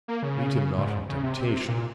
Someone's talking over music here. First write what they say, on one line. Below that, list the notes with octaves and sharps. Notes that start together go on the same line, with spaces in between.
Lead him not into temptation.
A#3
C#3
G#2
C#3
C3
A#2